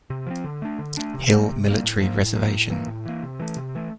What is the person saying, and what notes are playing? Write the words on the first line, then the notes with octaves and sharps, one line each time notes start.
Hill Military Reservation.
C3
F3 C4
D3
A3 D4
D3
A3 D4
C3
G3 A#3
C3
G3 A#3
A2
F3 A#3
A2
F3 A#3
A2
E3 A#3
A2
E3 A#3
C3
E3 A3
C3
E3 A3